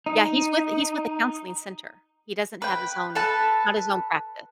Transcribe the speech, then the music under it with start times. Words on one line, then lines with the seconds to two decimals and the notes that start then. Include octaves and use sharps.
Yeah, he's with he's with a counseling center. He doesn't have his own he's not his own practice.
0.06 D#4
2.62 B4 G5
3.15 A4 B4 A5